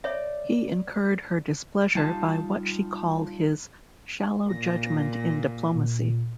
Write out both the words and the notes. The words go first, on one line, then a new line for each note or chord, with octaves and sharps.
He incurred her displeasure by what she called his "shallow judgement in diplomacy".
C#5 D5 E5
G3 D#4 F4 A5
A#2 A#6
A#2